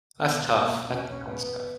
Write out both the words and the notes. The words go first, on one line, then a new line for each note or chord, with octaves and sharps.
That's tough. That sounds tough.
C#2 B2 B3
A#3
E2 B2 C#4
B3